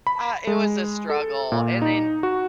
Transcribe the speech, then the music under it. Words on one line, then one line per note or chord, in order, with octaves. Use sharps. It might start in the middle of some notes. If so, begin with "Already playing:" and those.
uh, it was a struggle, and then,
B5
G#3
A4
A#2
D#4
F#4